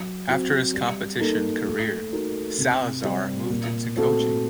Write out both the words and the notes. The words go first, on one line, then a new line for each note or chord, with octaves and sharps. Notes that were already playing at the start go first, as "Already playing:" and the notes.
After his competition career, Salazar moved into coaching.
Already playing: F#3
C4 F#4
G3
A#3 D#4 A4
A3
D#4 F#4 A#4
C3
G3 C4 G4
A#2
A3 C4 F#4 A4